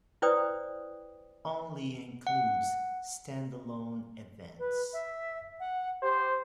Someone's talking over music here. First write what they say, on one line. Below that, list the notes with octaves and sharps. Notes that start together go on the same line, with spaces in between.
Only includes standalone events.
E4 B4 C5 D5 G5 D#6
F#5
B4
E5
F#5
G4 C5